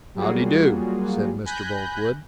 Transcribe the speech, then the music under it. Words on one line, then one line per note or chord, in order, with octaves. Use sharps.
"How dee do," said Mr. Boltwood.
F#3 G3 A#3 F4 F#4 G#4
G#5 B5 F#6 G6 A#6